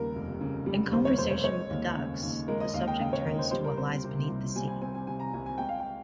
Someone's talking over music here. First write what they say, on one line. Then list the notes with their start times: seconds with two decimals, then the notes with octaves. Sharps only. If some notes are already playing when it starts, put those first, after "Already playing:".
In conversation with the ducks the subject turns to what lies beneath the sea.
Already playing: D#2 C#3 G3 A#4
0.15 F1
0.41 C#3
0.66 G3
0.92 D#2 C5
1.05 C#5
1.18 F1 C5
1.31 C#5
1.44 G#3 C#5
1.70 D#2
1.97 C#3
2.23 D#2
2.48 G#3 A#4
2.60 D#5
2.73 D#2 F5
2.88 G5
2.99 C#3 F5
3.13 C#5
3.25 D#2 A#4
3.39 C5
3.51 G3 C5
3.64 A#4
3.77 C4 C5
4.04 C3
4.29 C2
4.56 G3 G#5
4.68 G#5
4.81 C4 G#5
4.95 G#5
5.07 C3 G#5
5.20 A#5
5.34 C2 G#5
5.46 G#5
5.58 G#3 G5
5.69 F5
5.80 G5